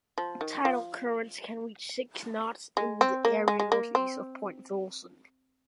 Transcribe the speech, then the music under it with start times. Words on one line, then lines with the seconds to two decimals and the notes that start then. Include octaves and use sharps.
Tidal currents can reach six knots in the area northeast of Point Wilson.
0.18 F3
0.41 D#3
0.65 F3
2.77 G#3
3.01 C4
3.25 A#3
3.48 G#3
3.60 G#3
3.72 A#3
3.95 C4